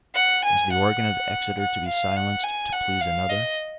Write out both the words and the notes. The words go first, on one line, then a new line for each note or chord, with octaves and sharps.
Was the organ of Exeter to be silenced to please another?
F#5
G#5
F#5
F#5
F5
F#5
G#5
F#5
F5
D#5